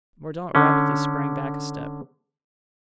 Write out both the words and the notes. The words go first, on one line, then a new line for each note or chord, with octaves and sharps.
Mordaunt rapidly sprang back a step.
D3 C#4